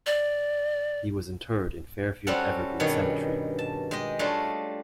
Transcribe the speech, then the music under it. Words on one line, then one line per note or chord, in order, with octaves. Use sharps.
He was interred in Fairfield-Evergreen Cemetery.
D5
G3 C4 C#4 F#4 A4 F#5
G2 B2 D#3 G#4 C#5
A5
G#3 G4 D#5
G3 A3 D4 F4 C#5 D#5